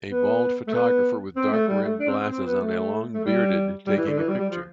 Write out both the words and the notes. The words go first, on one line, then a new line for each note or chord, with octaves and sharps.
A bald photographer with dark rimmed glasses and a long bearded taking a picture.
B3
A3
B3
C4
A3
G3
A3
D4
C4
C4
C4
B3
A3
A3
G3
G3
E3
D3
E3
G3
G3
F3